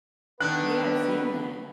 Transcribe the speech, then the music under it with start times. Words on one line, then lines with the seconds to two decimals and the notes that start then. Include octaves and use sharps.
Yeah, I've seen that.
0.40 D3 D#3 B3 D4 B4 F#6